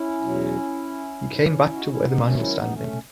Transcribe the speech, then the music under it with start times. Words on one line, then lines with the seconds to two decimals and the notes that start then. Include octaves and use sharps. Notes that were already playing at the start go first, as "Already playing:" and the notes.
He came back to where the man was standing.
Already playing: C#4 E4
0.21 E2 B2 F#3
1.22 G#2 F#3
1.72 D#4 F#4
1.90 C#4 E4
2.05 B3 D#4
2.22 G#2 D#3 F#3 A3 C#4
2.39 C#4 E4
2.56 B3 D#4
2.72 A3 C#4